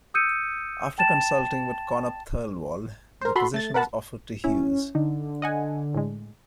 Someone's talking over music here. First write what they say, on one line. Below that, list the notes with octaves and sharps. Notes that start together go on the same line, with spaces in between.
After consulting with Connop Thirlwall, the position was offered to Hughes.
D#6 E6 G6 C#7 D#7
G5 A5 A6 E7
A#4 C5
F#4 A4 B5 C6
A3 A6
A#4 B4 F#5 A5
C#4 E4
D3 D#4
D#5 F#5 G#5
A2 G#3